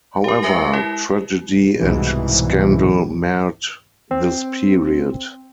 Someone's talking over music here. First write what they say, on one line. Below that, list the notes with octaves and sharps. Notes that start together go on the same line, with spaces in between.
However, tragedy and scandal marred this period.
G4 A#4
G#3 A#4 B4 E5 G#5 A#6
E4
C2 G#2 B2 E3
C4